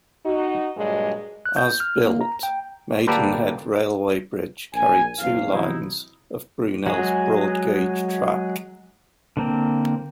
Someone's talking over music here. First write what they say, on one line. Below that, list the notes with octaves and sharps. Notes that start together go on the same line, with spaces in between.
As built, Maidenhead Railway Bridge carried two lines of Brunel's broad gauge track.
D#4 F#4
G2 A#2 F#3 G#3
F#6
G6
F6
A#3
A#5
G5
D3 A#3 D4 G4 A4 B4
A#1 G#5
F#1 E2 F5
C3 E3 F#3 B3 D#4 E4
F#3 G#3 G#4
D3 A#3 C4